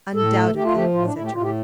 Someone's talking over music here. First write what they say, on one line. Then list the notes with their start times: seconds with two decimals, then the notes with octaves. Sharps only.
"Undoubtedly," said Charles.
0.15 A2 A4
0.35 A3
0.55 A3 G4
0.65 F4
0.75 F3 G4
0.94 A2 F4
1.05 D4
1.14 A2 E4
1.24 G4
1.34 A2 F4
1.42 G4